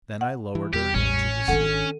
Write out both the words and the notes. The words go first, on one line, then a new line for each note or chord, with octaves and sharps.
Then I lowered her into the sea.
F#5
E3
E2 G3 G4
A1 C#4
G#1 D#3 D4 A4 F#5